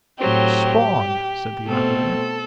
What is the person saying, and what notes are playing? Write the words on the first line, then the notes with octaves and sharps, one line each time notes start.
"Spawn," said the operator.
A2 F#3 C4 G4
B2 A3 C4 A4